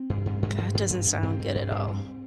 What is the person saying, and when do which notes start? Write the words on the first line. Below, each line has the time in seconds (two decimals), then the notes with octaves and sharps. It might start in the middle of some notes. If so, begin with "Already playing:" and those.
That doesn't sound good at all.
Already playing: C4
0.10 G2
0.26 G2
0.43 G2
0.58 G2
0.75 G2
0.90 G2
1.07 G2
1.23 G2 C4
1.39 G2
1.55 G2
1.71 G2
1.87 G2